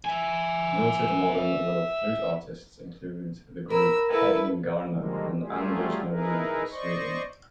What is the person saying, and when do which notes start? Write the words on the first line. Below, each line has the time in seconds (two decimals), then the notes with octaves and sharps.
Noted modern willow flute artists include the group Hedningarna and Anders Norudde of Sweden.
0.05 E5 G#5
3.70 A#4 B5 E6
4.10 E4 A4 B4
4.87 D3 D#3 F3 G3 G#3 A#3
5.39 F#3 G3 A3 F4 G4 G#4
6.07 D#4 E4 G#4 A#4 B4
6.71 C5 D5 D#5 C#6